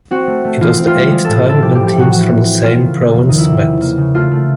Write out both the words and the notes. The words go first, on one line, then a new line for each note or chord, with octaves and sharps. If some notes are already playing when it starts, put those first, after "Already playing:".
It was the eighth time when teams from the same province met.
C4 F#4
A3
A3
E3 F4
C4
F4
G3
G#3
A2 A4
C4 A4
F3 G4
A2 G4
G4
A2 F#4
E3 F#4
C4
C4
A#3 F4
C#3
F3
E2
D#3 D#4
E4
C3
C#3
A#3
C#3
A3 F4
A3